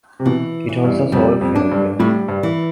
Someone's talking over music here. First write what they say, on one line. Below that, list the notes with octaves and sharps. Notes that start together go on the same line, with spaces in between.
It also sold fairly well.
C3
B2 E3
E3
G2
F2 G3
F2
D4
G2
A2 G3
G2
E3